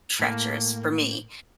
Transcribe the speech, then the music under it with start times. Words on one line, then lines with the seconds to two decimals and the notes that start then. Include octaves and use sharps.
treacherous for me,
0.20 A2 A#3